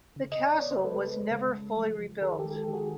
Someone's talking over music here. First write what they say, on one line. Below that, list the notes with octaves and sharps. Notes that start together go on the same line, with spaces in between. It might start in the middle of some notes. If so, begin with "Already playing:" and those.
The castle was never fully rebuilt.
C#3
D#5
C#3
D5
B3 C#5
C5
G#3 A4 B4
G#3
C#3
G#3
F3
F3
D#3 G#4 A#4
G4 A4
G#3
G4 A4
D#3
F#4 G#4